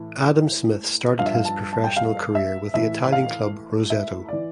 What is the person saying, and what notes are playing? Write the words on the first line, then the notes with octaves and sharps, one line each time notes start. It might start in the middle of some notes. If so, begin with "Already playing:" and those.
Adam Smith started his professional career with the Italian club Roseto.
Already playing: A2 E3
G2 F3 F5
E5
F5
A5
A5
G5
F5
E5
A2 E3 E5
F5
E5
E3 D5